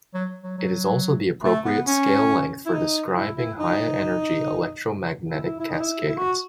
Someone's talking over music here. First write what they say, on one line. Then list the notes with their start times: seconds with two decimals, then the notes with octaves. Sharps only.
It is also the appropriate scale length for describing high-energy electromagnetic cascades.
0.15 F#3
0.44 F#3
0.58 F#3
1.44 A3
1.65 B3
1.87 C#4
2.66 E4
2.73 D#4
3.16 E4
3.38 E4
3.59 D#4
5.31 E4
5.45 E4
5.60 E4
5.70 D#4
5.81 E4
6.09 E4
6.17 F#4